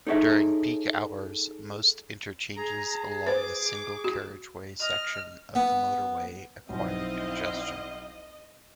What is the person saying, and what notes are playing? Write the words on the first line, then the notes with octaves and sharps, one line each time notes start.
During peak hours, most interchanges along the single-carriageway section of the Motorway acquire congestion.
D#4 G#4 A4 C#5 E5
G#4 A#5
B4 C5 D6
F#4
D#5 F6
B3
B1 F3 C4 E4 D#5 F5